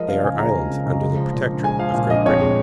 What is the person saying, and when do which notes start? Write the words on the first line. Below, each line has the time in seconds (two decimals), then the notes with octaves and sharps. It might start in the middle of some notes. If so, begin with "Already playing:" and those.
"They are islands under the Protectorate of Great Britain."
Already playing: F3 G#3 A#4 D#5
0.08 C#3 F5
0.24 C#2 G#5
0.39 G#3 A#5
0.55 F3
0.70 C#3
0.86 C#2
1.01 G#3
1.17 F3
1.33 A#2
1.48 A#1
1.63 G#3 G#5
1.79 F3 F5
1.94 A#2 F5
2.10 A#1 D#5
2.25 F2 C#5
2.41 G#3